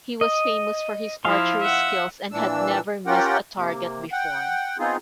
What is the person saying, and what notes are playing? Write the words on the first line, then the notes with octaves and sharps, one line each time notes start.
He was famous for his archery skills and had never missed a target before.
D#5
F3 E4 F5 C6
E5 F#5
A#2 E3 D4 E6
C#4 F4 G4 A#4 F#5 G5
C3 A#3
F#5 G5
B3 C4 D#4 F4 G#4